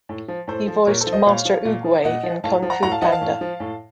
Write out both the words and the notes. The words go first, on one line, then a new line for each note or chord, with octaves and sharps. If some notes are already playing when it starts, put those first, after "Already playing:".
He voiced Master Oogway in "Kung Fu Panda".
A2
F3
A2 A4 C5
F3
A#2 A#4 C#5
A4 C5
F3
C5 D#5
A#2 C#5 F5
F3
A#2
F3
A#2 D#5 F#5
F3
A2 F5 A5
F3
F#5 A#5
A2 F#5 A#5
F5 A5
F3 D#5 F#5
F5 A5
A2
F3
A2